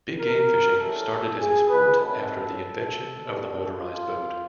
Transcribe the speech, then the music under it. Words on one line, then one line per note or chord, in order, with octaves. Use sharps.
Big-game fishing started as a sport after the invention of the motorized boat.
A#4
A2 E3 G3 A4
G#4
B4
C3 D#3 F#3 A4
B2 G3
F4